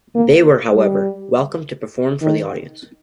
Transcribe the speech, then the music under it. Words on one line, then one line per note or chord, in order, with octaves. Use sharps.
They were, however, welcome to perform for the audience.
A#3
G3
D#3